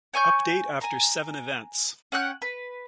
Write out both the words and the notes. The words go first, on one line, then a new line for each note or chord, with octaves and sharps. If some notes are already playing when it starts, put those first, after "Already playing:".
Update after seven events.
C#5 G#5 C#6 G6
G#5 A#5
C#4 F#5 G5 F#6
B4